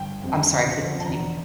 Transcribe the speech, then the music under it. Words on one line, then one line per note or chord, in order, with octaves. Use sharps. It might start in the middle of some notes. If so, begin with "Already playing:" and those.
I'm sorry, please continue.
Already playing: G1 G5
F2 C3
D2
D3 F3
A5
E2 A#5